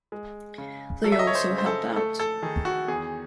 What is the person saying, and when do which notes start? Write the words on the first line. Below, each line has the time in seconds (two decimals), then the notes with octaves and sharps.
They also help out.
0.12 G#3
0.58 C#3
1.04 F#3 A4
1.12 E5
1.19 D#5
1.27 C#5
1.35 C5
1.50 C#3
1.58 C5
1.66 A4
1.96 A3 A4
2.19 A4
2.42 D#3 G#4
2.65 F#4
2.88 E2 G#4